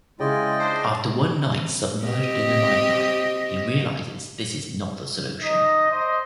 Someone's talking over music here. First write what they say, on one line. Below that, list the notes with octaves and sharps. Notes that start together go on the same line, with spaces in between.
After one night submerged in the nightlife, he realizes this is not the solution.
C#3 G#3 E4 F4 D5 D#5 G5
D4 C5
C4 G4 D#5
D#4 D#5
C5 D5 D#5